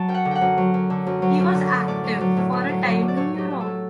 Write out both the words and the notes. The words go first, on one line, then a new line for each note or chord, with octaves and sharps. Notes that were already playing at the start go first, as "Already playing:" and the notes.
He was active for a time in Europe.
Already playing: F#3 A5
F#2 G5
F#5
D3
F#5 G5
F#2
F#3
F#2
D3
F#2
F#3
F#2
D3
F#2
A2 D5
F#3
F#3
A2
A2
F#3
F#3
A2
D5
A2 C#5
F#3 G4
F#3
A4
A2